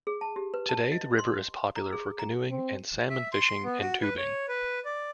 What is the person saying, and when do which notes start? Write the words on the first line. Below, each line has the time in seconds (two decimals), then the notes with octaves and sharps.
Today, the river is popular for canoeing and salmon fishing, and tubing.
0.07 G#4
0.21 A5
0.36 G4
0.54 B4
0.69 A5
0.92 D#5
1.19 C6
1.76 A#5
1.93 G#4
2.19 A#5
2.50 C4
3.10 E5
3.33 C6
3.64 B3
3.80 F#4
4.02 B4
4.18 C#5
4.49 B4
4.85 D5